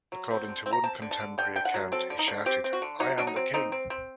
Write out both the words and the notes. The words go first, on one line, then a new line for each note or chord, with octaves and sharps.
According to one contemporary account, he shouted I am the king!
F#3
C4
D3
C4
A#5
C4 A5
D3
A5
D3
D3 G5
D3 G5
F#5
F#3
C4 A4
D3
D#4
D3
C4 G4
C4
F#4
D3
F#3 D#4
F#3 D4
D#4
C4
C4 D#4
C4
C4